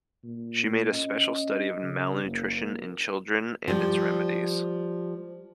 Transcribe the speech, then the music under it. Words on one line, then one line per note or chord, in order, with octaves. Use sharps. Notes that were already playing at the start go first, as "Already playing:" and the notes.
She made a special study of malnutrition in children and its remedies.
A#2
C#4 D#5
C#3
F#1 A#3
F3 G3